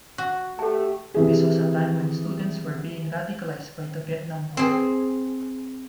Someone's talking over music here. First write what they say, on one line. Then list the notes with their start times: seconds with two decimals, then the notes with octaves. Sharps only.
This was a time when students were being radicalised by the Vietnam war.
0.18 F#4
0.59 A3 G4 A4 A5
1.14 C3 E3 G#4
4.57 C4 G#4